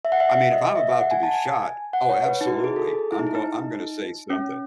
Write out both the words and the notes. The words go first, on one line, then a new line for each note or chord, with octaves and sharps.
I mean, if I'm about to be shot, oh, absolutely, I'm go I'm gonna say something.
E5
F#5
E5
D#5
E5
F#5
G#5
A5
G#5
F#5
C#5
B4
D#4
F#4
E4
G#4
A4
G#4
E4
D#4
E4
D#4
C#4